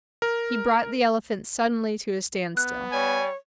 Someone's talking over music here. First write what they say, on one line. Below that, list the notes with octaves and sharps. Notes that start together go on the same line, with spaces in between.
He brought the elephant suddenly to a standstill.
A#4
B3 F#6
G3 C#5 G#5